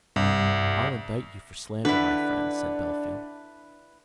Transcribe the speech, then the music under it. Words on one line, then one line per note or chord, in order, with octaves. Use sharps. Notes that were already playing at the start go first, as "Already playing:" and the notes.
"I'll indict you for slander, my friend," said Bellfield.
C2 G2
D3 D4 E4 B4